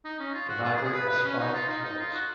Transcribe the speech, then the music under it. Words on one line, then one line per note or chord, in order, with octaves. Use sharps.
The library has five floors.
D#4
C#4
F4
F#4
F4
G#4
G#4
B4
B4
C#4
D#4
F4
D#4
D#4
F4
F#4